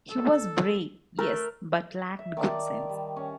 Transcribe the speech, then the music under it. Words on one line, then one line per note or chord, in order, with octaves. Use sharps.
He was brave, yes, but lacked good sense.
A4
A3 A#4
E5
D#3 D5 A5 D6
G3
C#4